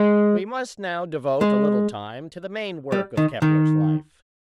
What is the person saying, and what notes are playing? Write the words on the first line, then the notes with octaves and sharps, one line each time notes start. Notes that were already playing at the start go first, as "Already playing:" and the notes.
We must now devote a little time to the main work of Kepler's life.
Already playing: G#3
G#3
G3
D#3
D#3